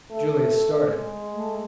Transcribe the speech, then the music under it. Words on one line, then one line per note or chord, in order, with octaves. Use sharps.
Julius started.
A3 A4
G#3
A3